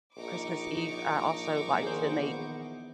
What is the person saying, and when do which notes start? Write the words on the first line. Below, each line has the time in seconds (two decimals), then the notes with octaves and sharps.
Christmas Eve, I also like to make,
0.17 A#1 D#4 C#6 D6
1.83 D#3 E3 B3 G#4 A#4 C5